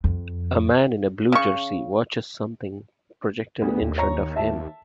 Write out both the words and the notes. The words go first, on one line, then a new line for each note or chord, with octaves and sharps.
A man in a blue jersey watches something projected in front of him.
F2
C#3 C#6
D2 B3
D#2
C#5 A#5
E5 A5